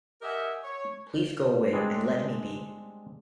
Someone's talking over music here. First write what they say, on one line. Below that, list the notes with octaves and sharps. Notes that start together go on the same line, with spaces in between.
Please go away and let me be!
G4 A#4 D#5 E5 F#5 G#5
C#5
G3 G#3 C4 D4 G#4